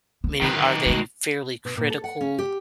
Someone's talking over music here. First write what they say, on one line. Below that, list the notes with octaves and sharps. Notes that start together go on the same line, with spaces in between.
Meaning, are they fairly critical
B3 C#4
D3 D#3 B4
G#3 A3
B2
A#2
A4
F#5
C#4
G4